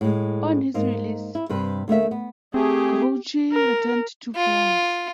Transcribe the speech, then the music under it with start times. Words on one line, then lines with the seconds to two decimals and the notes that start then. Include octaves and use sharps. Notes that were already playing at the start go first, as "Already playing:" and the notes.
On his release Grouchy returned to France.
0.01 A2 G#3
0.74 G#2 A#3 D#4
1.35 E4
1.49 G2 C3 B4
1.88 D2 A3 A#3 E5
2.11 B3
2.54 A3 C4 G4 G#4
3.53 A#4
4.35 F4